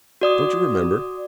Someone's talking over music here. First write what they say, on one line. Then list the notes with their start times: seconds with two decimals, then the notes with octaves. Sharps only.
'Don't you remember?
0.21 F#4 D5 D#6